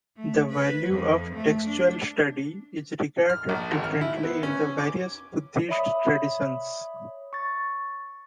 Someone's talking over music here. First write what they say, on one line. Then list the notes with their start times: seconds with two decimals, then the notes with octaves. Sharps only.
The value of textual study is regarded differently in the various Buddhist traditions.
0.17 A3
0.50 B4
0.90 F2
1.35 A3
1.66 D4
3.30 F6
3.49 A#1
3.71 G#1
3.84 F6
4.01 E4
4.23 B3
4.43 C#4
4.78 D6
5.69 C#5 D5 E5 B5 D#6
7.33 C#6 A6